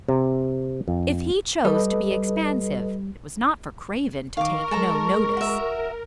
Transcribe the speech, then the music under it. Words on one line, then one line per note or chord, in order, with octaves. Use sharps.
If he chose to be expansive, it was not for Craven to take no notice.
C3
F2
G3 A4 B4 D#5
D#3 A#4 F5 C#6 D6
G#3 A4 A5 A#5
F#4 E5